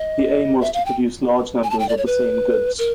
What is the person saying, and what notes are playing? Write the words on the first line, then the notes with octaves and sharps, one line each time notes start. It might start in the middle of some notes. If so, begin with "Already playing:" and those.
The aim was to produce large numbers of the same goods.
Already playing: D#5
E5
F5
G5
G#5
A5
G5
D5
C#5
B4
A#4